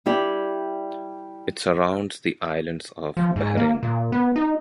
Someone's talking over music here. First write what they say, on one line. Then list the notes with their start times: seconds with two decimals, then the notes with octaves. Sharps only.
It surrounds the islands of Bahrain.
0.06 G3 E4 G4 D5
3.17 F3
3.36 G#2
3.57 A#3
3.83 A#2
4.12 B3
4.36 D#4